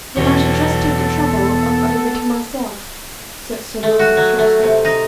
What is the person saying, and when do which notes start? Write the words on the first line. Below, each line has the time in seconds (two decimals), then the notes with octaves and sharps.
"Then I shall just take the trouble of admitting myself," said Sir Norman, shortly.
0.17 E2 B2 B3 A4 C#5
3.83 A3
3.99 F#4
4.17 F#3
4.39 A3
4.63 C3
4.85 D#4